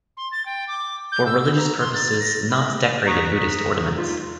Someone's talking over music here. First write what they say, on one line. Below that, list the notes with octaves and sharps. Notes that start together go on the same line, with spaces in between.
For religious purposes knots decorated Buddhist ornaments.
C6
A6
G5
D6
G6
E6
A#5
C6
A6
A#6
B5
A#5 C#6 D#6 F#6 A#6 B6
D#4 F4